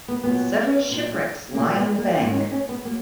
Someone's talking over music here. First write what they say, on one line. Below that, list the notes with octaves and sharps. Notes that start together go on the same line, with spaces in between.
Several shipwrecks lie on the bank.
B3
A#2 F#3 B3
A#2 F#3
A#2 F#3 A#3
B3
A#3
G#2 D#3 F#3 A#3
C#4
D#4
C#4
B3
F#3 A#3